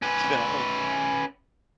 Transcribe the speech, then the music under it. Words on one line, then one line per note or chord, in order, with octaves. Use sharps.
…spent all of it
C#4 B4